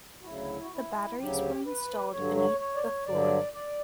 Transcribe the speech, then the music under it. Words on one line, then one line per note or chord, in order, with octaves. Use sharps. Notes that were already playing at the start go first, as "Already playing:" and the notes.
The batteries were installed beneath the floor.
F#4
D2 C#3 F#3 E4
F#4
E4
D2 C#3 F#3 G4
B4
G2 D3 F#3 C#5
C#5
C#5
D5
C#5
G2 D3 F#3 D5
D5